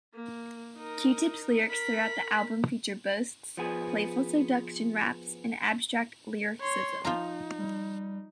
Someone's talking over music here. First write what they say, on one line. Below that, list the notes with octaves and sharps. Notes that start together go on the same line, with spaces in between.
Q-Tip's lyrics throughout the album feature boasts, playful seduction raps, and abstract lyricism.
A#3
D#4 A#4
A#4 B5
F3 B3 G#4
C#5 C6
F3 D#4 F4 A#5
G3